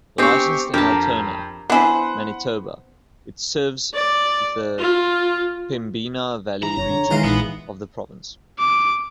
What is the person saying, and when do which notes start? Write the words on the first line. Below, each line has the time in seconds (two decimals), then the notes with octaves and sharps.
Licensed to Altona, Manitoba, it serves the Pembina Valley region of the province.
0.18 G#3 B3 C4 D4 G4 C#6
0.74 F2 D4 G4 A#4 A5
1.70 B3 D4 E4 B4 C5 F#5 G#5
3.94 D5
4.78 F4
6.63 E3 A#5
6.77 F#1 C#5
6.91 D3
7.11 D#3 E3 G#3 F5
7.24 A#1 B3 D#4
8.59 D6